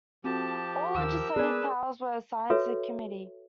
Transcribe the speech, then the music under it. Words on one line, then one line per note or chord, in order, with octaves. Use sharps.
All legislative powers were assigned to the Committee.
F3 C4 F#4 G4 A4 A5
D#2 D#3 A#4 E6
B3 G#4 B4 D5 G#6
F#4 A4 B4 C#5 E5